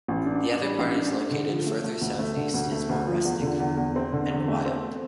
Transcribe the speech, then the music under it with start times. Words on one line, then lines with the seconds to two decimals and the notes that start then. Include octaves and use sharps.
The other part is located further south east is more rustic and wild.
0.08 A1
0.26 D4
0.44 D4
0.61 G3
0.78 A1
0.96 D4
1.14 A3
1.31 D3
1.49 F3
1.67 A3
1.84 A3
2.01 D2
2.19 A3
2.37 D3
2.54 D2
2.72 A3
2.89 D2
3.07 F3
3.25 E2
3.42 D3
3.60 E2
3.77 E2
3.96 C4
4.13 D3
4.30 E2
4.48 A3
4.66 C4